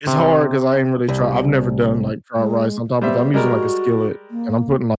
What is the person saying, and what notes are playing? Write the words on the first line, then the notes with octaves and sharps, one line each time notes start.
it's hard 'cause I ain't really try I've never done, like, dried rice on top, but I'm using, like, a skillet, and I'm putting like
C3
C2
G#3
G3 B3 C5 E5
G3 G#3 F#4 A#4
A#3